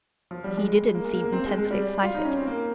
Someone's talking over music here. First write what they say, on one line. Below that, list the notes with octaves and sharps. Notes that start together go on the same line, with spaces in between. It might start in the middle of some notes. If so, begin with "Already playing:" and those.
He didn't seem intensely excited.
F3
G3
G#3
A#3
G#3
A#3
A#3
C4
G#3
G#3
G3
F4
D#4
C#4
C4
A#3